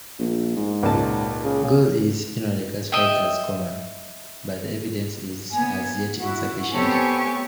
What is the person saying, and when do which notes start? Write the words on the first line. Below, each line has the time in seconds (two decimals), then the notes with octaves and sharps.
Gule is generally classified as Koman, but the evidence is as yet insufficient.
0.19 A#1
0.56 G#2
0.83 C#2 A#2 A5
1.44 C#3
1.64 C#3
2.92 D#5 E5 G5
5.52 A#3 B3 G#5
6.20 E4 F#4
6.72 B3 C4 G4 A4 C5 C#5 G#5 C#6